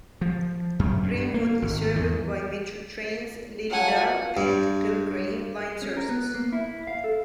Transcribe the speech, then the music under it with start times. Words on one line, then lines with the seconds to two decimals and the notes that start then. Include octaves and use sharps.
Ringwood is serviced by Metro Trains' Lilydale and Belgrave line services.
0.21 F3
0.79 F#2
1.03 G2
1.34 A#3
1.62 G#1
1.96 E2
3.70 F3 F#3 A3 F#5 G#5
4.37 G2
5.82 C#4
5.97 A#4
6.09 B3
6.34 A#3
6.53 E4
6.87 F5
7.04 A4